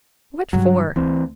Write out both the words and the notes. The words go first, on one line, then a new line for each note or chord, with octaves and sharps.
"What for?"
G2 C#3 F#3
D2 E3 C4